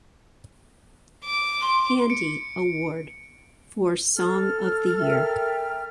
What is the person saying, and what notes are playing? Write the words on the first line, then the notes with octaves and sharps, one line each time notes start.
Handy Award for "Song of the Year".
D6
C6
C#7 D7
A4 F6
A#4 E5 G5